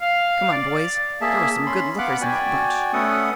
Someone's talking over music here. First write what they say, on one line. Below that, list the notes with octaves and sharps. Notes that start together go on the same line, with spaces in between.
"Come on, boys--there were some good lookers in that bunch."
F5
D5
A#3 G#4 E5 A5
C#4 B5 C6
B3 F5 F#5 B5 D6 F#6
F#4 D5 G5 G#5
A3 B3 C#4 A4 F#5 D#6